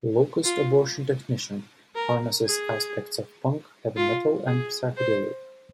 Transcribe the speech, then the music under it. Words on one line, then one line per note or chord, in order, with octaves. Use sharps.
"Locust Abortion Technician" harnesses aspects of punk, heavy metal, and psychedelia.
F4
A#4
G#4
F4
G#4
C5